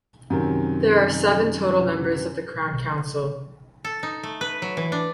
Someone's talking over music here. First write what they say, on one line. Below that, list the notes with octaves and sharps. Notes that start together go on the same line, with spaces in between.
There are seven total members of the Crown Council.
F#2 C3 D#3
A4
D#4
A3
B4
F#3
E3
D4